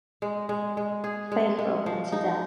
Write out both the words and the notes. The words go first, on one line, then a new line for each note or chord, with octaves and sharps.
Faithful unto death.
G#3
G#3
G#3
G#4
G#3
G#3
F3
D#4